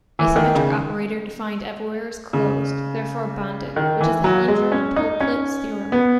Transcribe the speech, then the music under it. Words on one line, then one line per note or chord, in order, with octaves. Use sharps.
A symmetric operator defined everywhere is closed, therefore bounded, which is the Hellinger-Toeplitz theorem.
E3
D#3
C#3
C#3
D#3
E3
F#3
G#3
C#4
D#4
C#4
B3